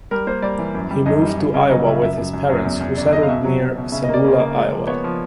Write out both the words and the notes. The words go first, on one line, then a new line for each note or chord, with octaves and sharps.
He moved to Iowa with his parents, who settled near Sabula, Iowa.
G3 A#4
A#3 C5
G3 D5
E3
F#2
G3
F#2 D#5
G3
C#3
C#3
F#3 D#5
C#3 E5
F#2 E5
F#2
F#2
F#2
E2
E2
C#3 D5
C#3 D#5
F5
B2 E5
F#3
F#3
B2
C#3 E5
D#5
A#3 D5
C#3
A#3
G#3
F3
B3 C#5
F3